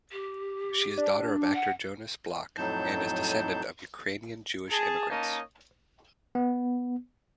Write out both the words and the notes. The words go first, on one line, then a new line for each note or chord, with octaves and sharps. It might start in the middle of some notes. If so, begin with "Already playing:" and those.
She is daughter of actor Jonas Bloch, and is descendant of Ukrainian Jewish immigrants.
G4
D4
F#5
F2 A2 F#3 D#4 A5 G6
G#4 A5
A#3 C#4 D#4 C#5 D#5 A5
B3